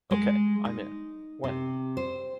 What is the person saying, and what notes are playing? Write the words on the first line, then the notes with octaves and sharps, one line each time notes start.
Ok, I’m in. When?
G#3
D#4
C3
C5